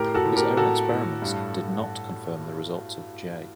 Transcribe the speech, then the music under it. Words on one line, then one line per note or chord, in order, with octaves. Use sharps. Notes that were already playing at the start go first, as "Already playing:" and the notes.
His own experiments did not confirm the results of J.
Already playing: A2 G4 A#4
F#4 A4
A2
G4 A#4
A2 F#4 A4
A2
G2
G2